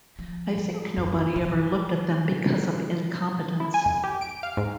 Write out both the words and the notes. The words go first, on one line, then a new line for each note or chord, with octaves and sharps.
I think nobody ever looked at them because of incompetence.
F3
F#2
B2
E4
G#5
F2
G4
D7
F5
G#2